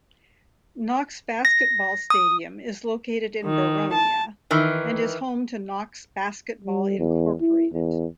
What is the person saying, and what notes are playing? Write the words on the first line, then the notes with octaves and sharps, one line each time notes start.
Knox Basketball Stadium is located in Boronia and is home to Knox Basketball Incorporated.
A#6
D#6
D#3
A5
D#3 E3
G3
E2
E4
E2